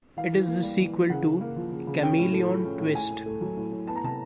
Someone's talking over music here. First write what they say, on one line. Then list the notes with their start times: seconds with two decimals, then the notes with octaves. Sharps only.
It is the sequel to "Chameleon Twist".
0.17 E3 F5
0.33 E3
0.48 A#3
0.63 G3
0.78 E3
0.94 E3
1.10 C#3 F#5
1.25 C#3
1.41 A#3
1.56 F3
1.72 C#3
1.87 C#3
2.02 C#4 G5
2.18 A2
2.33 A3
2.49 F3
2.64 C#4
2.79 A2
2.95 A2 G#5
3.10 A2
3.26 A3
3.41 F#3
3.57 A2
3.72 A2
3.87 B3 A5
3.96 A#5
4.03 C3 A5